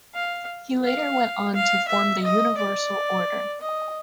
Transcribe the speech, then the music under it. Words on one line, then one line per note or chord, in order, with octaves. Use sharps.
He later went on to form the Universal Order.
F5
F5
F5
E5
D#5
D5
D#5